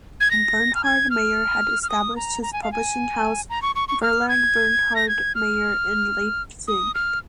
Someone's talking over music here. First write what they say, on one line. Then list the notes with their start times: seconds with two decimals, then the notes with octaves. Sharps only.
Bernhard Meyer had established his publishing house "Verlag Bernhard Meyer" in Leipzig.
0.20 G#6
0.31 A#6
0.75 F6
0.84 G#6
1.10 F6
1.83 F6
1.90 D#6
2.16 A#5
2.42 A#5
2.53 G#5
2.63 F5
2.72 G#5
3.50 A#5
3.62 C#6
3.75 C#6
3.88 C#6
4.02 F6
4.29 G#6
4.96 A#6
5.09 G#6
5.35 F6
6.68 D#6
6.95 F6